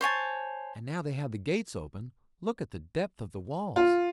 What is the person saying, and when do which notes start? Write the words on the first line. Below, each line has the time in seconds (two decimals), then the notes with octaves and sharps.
And now they have the gates open, look at the depth of the walls.
0.01 C5 C#5 G#5 A5
3.76 F4